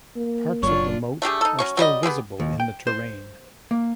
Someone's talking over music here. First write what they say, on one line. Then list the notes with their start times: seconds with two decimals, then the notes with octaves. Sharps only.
Parts of the moat are still visible in the terrain.
0.16 A#3
0.63 F#1 F#2 D4 F4 C#5
1.22 A3 D4 G4 G#4
1.41 D#4 A4
1.59 F#3 C#4 C#6
1.77 F#3 G3 G4 D#5
2.03 B3 E4 G4 G#4
2.40 D#2
2.60 G5
2.87 C5
3.71 A#3